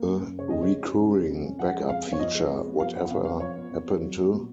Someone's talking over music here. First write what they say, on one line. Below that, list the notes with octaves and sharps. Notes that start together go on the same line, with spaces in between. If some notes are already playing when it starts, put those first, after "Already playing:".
A recurring back-up feature Whatever Happened to...?
Already playing: A#3
F#2
F#2
C#3 C#5
G#3 D#5
C#5
F2
C#4
C#3
G#3
F2
C#4
F3 F#5
G#3
F2 F5
B3
C#5
F3 D#5
G#3
F2
B3
F3 F5
B3 F#5
F2 F5
F2 F5
F3 C#5
B3
F2
F2
F#3
B3
A#2